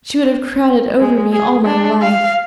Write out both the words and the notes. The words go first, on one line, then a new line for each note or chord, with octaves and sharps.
She would have crowed over me all my life.
G#3
G#4
D4
F5